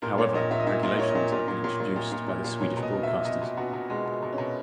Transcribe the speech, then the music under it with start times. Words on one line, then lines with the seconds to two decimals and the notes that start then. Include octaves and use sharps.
However, regulations have been introduced by the Swedish broadcasters.
0.02 A#2 A#4
0.18 A#2 C#5
0.35 A#2 D#5
0.51 A#2 E5
0.60 D#5
0.67 A#2 E5
0.83 A#2 D#5
0.99 A#2 C#5
1.10 D#5
1.15 A#2
1.32 A#2
1.48 A#2
1.64 A#2
1.80 A#2
1.96 A#2
2.12 A#2
2.28 A#2
2.44 A#2
2.61 B2 C#5
2.77 B2
2.83 D#5
2.93 B2
3.03 E5
3.09 B2
3.25 B2 D#5
3.41 B2
3.57 B2 F#4
3.73 B2
3.90 B2 G#3
4.06 B2
4.22 B2
4.33 C#4
4.38 B2